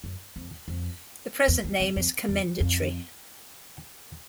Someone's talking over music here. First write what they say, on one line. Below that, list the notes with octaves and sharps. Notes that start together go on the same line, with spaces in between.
The present name is commendatory.
F#2
F2
F2
E2
E2
F2
F2
E2
F2